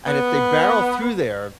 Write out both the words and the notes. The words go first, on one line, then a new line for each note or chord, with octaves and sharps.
and if they barrel through there,
B3